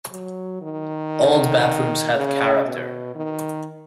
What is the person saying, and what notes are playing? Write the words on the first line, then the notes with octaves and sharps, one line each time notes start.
Old bathrooms had character.
F#3
D#3
C#3
B2
D#3